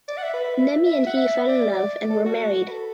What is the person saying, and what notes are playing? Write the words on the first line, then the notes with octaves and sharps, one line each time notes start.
Nemi and he fell in love and were married.
D5
F#5
E5
B4
B4
E5
E5
E5
F#5
E5
D5
A4
F#4
B4
A4